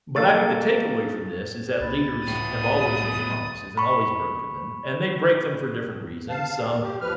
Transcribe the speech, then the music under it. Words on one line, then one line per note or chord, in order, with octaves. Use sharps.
but I think the takeaway from this is that leaders have always made promises and always broken them, and they break them for different reasons. Some
A#3 A4 C#6 A6
C#2 B5 A6
A2 B3 D#6
B5 C#6
F5 A5
D#2 D#3
G4
D#2 F3 B4 F6